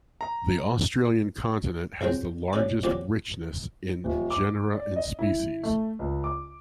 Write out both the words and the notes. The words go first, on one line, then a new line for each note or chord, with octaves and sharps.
The Australian Continent has the largest richness in genera and species.
A#5
C#2 F#3 G#3 C4 G5
A1 B2 C#4 D5
A#2 F3 F#3 A#3 C#4 G4
D#1
D6
D5
D#5
E4
A3
C#2
D6